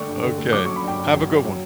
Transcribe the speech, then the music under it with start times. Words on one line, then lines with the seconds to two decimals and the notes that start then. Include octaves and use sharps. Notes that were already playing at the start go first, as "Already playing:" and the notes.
Okay. Have a good one.
Already playing: D3 A3 D4 G5 C#6
0.08 G2
0.24 D3
0.38 A3
0.53 F#3 D6
0.65 C#4 C#6
0.76 B5
0.84 G2 G5
0.99 G2
1.14 F#3
1.29 C#4
1.45 F#3